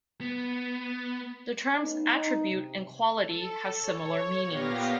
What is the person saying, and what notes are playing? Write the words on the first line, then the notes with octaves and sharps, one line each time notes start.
The terms attribute and quality have similar meanings.
B3
A3 B3 C#4 D#4
D#4
C3
A4
C#5
A#2 B3 G4 F5 A#6